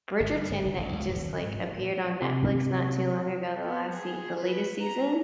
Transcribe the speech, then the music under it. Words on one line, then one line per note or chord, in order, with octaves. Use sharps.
"Bridgerton" that just, like, appeared on Netflix not too long ago, the last se the latest season,
G1
G3
G1
F#1
A1
C#2
D#1
C#3
G#2
F3
A#2
C3
B3
G#4
B4
A#5